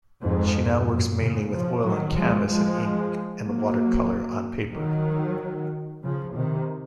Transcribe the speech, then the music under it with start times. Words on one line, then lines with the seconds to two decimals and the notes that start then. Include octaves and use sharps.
She now works mainly with oil on canvas and ink and watercolor on paper.
0.21 F2 G#2
0.86 F#2 A#2
1.18 A#2 C#3
1.51 C#3 F3
1.83 D#3 F#3
2.15 F3 G#3
2.47 F3 G#3
3.44 F#3 A#3
4.73 D#3 F#3
6.02 C#3 F3
6.35 C3 D#3